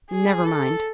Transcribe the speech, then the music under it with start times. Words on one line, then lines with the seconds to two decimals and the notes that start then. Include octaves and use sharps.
Never mind.
0.10 G#4
0.45 A4